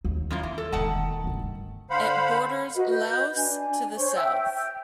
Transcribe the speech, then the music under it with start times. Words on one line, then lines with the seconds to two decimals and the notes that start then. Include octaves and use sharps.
It borders Laos to the south.
0.05 D#2
0.30 F#2 E4 F4
0.43 E3
0.58 A4
0.72 E1 A#2 D#3 F#5 A5
1.24 D2 G2
1.90 D3 C5 F5 F#5 B5
2.75 F#4 A#4 B4 D#5
2.90 B4 D#5 G6
3.36 D4 G#5
3.96 C5 C#5 C#6
4.15 E5 G5 E6
4.53 G5